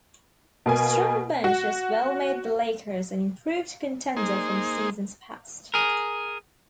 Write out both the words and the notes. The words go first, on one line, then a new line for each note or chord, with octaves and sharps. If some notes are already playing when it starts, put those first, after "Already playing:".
A strong bench as well made the Lakers an improved contender from seasons past.
B2 A#3 G#5
F#4
A#3 D#4 G#4 C5
G#4 A#4